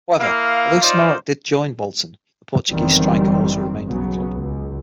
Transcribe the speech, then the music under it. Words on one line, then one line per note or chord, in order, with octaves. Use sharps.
However, although Smolarek did join Bolton, the Portuguese striker also remained at the club.
A#3 E4 F5
D#4 F4 C5 D5 F5
G1 F#2 D#3 E3 G3 C4
B1 C#3 F#3 B3
C#2